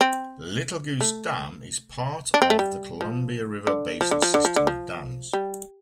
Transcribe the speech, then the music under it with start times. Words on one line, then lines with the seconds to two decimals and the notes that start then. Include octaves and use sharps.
Little Goose Dam is part of the Columbia River Basin system of dams.
0.01 C4
1.01 A3
2.34 D4
2.42 C4
2.50 A3
2.59 G3
3.01 F3
3.67 D3
4.01 F3
4.11 D3
4.22 F3
4.34 D3
4.45 F3
4.56 D3
4.67 F3
5.33 G3